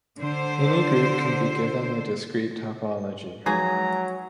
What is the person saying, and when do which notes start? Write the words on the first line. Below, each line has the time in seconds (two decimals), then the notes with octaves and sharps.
Any group can be given the discrete topology.
0.19 D3 C5
3.46 F3 F#3 G#3 D#4 G#4 B4 G#5 A#5